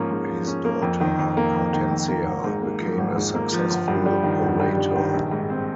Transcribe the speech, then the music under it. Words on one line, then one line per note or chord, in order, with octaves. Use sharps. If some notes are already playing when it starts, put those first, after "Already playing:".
His daughter Hortensia became a successful orator.
Already playing: G#2 F3 A#3 C#4
G#2
F3
C#4
A#3
F2
D#3
F2
A#3
F2
D#3
F2
A#3
G#1
G#2
A#3
F3
G#1
G#2
A#3
F3
G1
G2
G3
D#3
G1
G2
G3
D#3
A#1
G#2
C4